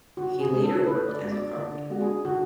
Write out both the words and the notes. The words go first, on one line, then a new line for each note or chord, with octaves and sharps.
He later worked as a carpenter.
D3 F#4
G#4
G#3 D4 F#4
A4
D3 B4
D5
G#3 D4 F#4
D5
D3 D5
G#3 D4 F#4
G#4
D3 F#4